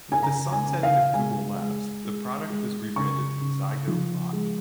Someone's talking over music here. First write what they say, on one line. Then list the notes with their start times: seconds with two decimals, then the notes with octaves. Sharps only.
With the sun-setting of Google Labs, the product was re-branded Zygote Body.
0.12 G#5
0.22 C#3 A#5
0.52 G#5
0.68 C#3
0.83 F5
1.14 G#3 G#5
1.59 G#3
2.05 G#3
2.50 G#3
2.96 C#3 C#6
3.41 C#3
3.87 F3
4.33 G#3